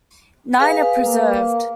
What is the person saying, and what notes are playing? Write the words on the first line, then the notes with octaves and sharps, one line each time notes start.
Nine are preserved.
G#4 B4 F5
A#3